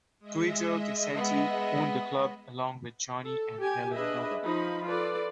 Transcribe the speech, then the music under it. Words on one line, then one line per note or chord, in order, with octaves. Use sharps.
Guido Caccienti owned the club along with Johnny and Helen Noga.
G#3 D#5 E5
B3
A4
G4 G#5
D4 G#4 B4 D#5 E5
F3 D#4 B5
F4 A4 B4 D5